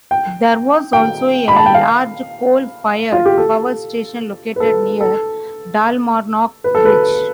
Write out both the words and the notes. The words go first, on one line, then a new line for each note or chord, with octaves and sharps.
There was also a large coal-fired power station located near Dalmarnock Bridge.
G5
G5
B5
A5
G5
F5
F4
G4
A4
B4
A4
A4
B4
A4
B4